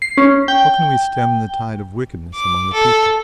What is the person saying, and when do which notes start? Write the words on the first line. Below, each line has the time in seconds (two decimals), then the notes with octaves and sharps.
How can we stem the tide of wickedness among the people?
0.02 C7
0.18 C#4
0.48 G5
2.34 D6
2.73 A4